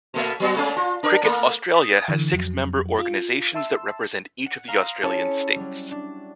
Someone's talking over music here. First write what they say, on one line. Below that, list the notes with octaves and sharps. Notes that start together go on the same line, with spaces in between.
Cricket Australia has six member organisations that represent each of the Australian states.
B2 A3 E5
F#3 B3 F#4
G#3 B3 C#4
F4
D4 A#4
A3 A#3
D#6 A6 B6
D3 E3
F2 F#3
F4
E5 A5 C6 E6
F#5
F5 A#5 C6 D#6
C#4 E4 G#4 C#5 A5 B5
F#3 G3
D4